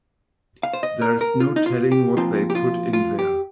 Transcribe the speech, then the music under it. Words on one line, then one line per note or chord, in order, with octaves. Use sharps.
There's no telling what they put in there.
F5
C5
D#5
A#4
A#4
F4
D#4
F4
G4
A#2 F3 C4 F4
G4
F4
F4
G4